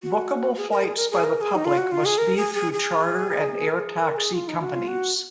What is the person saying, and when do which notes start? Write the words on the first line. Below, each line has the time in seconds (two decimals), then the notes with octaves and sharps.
Bookable flights by the public must be through charter and air taxi companies.
0.03 F#4
0.57 G#4
0.71 A#4
0.84 G#4
0.96 A#4
1.11 G#4
1.24 A#4
1.37 A#4
1.41 G#4
1.55 D#4
1.65 F4
1.78 F#4
1.92 F4
2.05 G#4
2.18 A#4
2.37 G#4
2.55 G#4
2.73 G#4
3.69 A#4
3.80 G#4
3.99 A#4
4.17 G#4
4.34 F4
4.48 D#4
4.61 F#4
4.74 F4
4.88 F#4